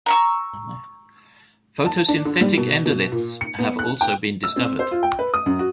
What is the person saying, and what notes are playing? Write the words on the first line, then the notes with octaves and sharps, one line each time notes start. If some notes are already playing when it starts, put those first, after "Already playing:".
Photosynthetic endoliths have also been discovered.
A#5 C#6 E6
A5
D4
D3
G3
B2
B2
A#2
C#7
B3
F#6
G5
E6
C4
C5
F4
G5
B4
D#6
F#2
F#4